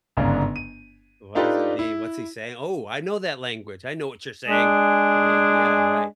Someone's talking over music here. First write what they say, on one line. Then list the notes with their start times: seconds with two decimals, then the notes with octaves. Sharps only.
"What does it mean? What's he saying? Oh, I know that language. I know what you're saying to me." Yeah, right.
0.17 G1 G#2 C#3 D4
0.56 D#7
1.35 D4 D#4 F4 G4 A4 B4
1.79 E4
4.48 G#3 D4 G#4